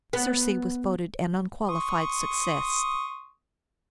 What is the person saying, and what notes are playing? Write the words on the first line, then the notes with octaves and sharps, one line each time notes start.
"Circe" was voted an unqualified success.
B3
C6 C#6 D#6